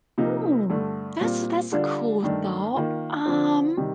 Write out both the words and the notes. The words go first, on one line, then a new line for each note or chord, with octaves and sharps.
Oh, that's a that's a cool thought, um
C3 F3 A#3 D#4
G2 D3 A3
A#2 G3 C4 F4
D3 G3 D4 F4
G2 D#3 A3 D4
D#3 A#3 F4
D3 F3 C4
C3 D#3 G3